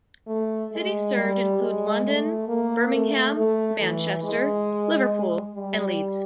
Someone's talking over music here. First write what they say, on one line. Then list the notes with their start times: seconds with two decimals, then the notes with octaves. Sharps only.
Cities served include London, Birmingham, Manchester, Liverpool and Leeds.
0.27 A3
0.72 G#3
1.15 G3
1.60 G#3
2.04 A3
2.47 A#3
2.92 A3
3.35 A3
3.80 E3
4.24 G#3
5.55 G3